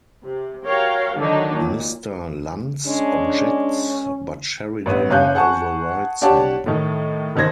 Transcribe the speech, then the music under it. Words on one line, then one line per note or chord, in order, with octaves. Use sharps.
Mr. Lantz objects, but Sheridan overrides him.
C3
F#4 A#4 C#5 F5 G5
D3 D#3 F#3 D4 D#4
A#2
G#3 C#4 D4
A1 B3
F#1 C#4 F5 F#6 G6
G#4 F#5 A5 C#6
D4 G4 C#5 F#5 A5
A2 D#3
F1 D#3 C5 G#6 A#6